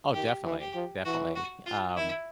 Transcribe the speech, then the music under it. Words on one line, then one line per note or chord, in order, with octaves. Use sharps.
Oh, definitely, definitely. Y um,
D#3 G4
E3
G4
F3
E3 F#4
F#4
F4
D#3 E4